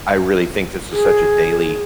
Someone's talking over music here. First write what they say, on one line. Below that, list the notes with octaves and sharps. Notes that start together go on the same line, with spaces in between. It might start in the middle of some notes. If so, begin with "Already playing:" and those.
I really think this is such a daily
G#4